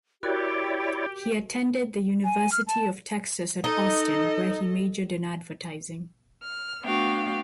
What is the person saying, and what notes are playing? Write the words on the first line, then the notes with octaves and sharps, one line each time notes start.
He attended the University of Texas at Austin where he majored in advertising.
E4 F#4 G4 A#4 C#5 D5
G#5
F6
A5
D#4 A4 D#5
F6
A3 B3 D4 F#4 F5 G5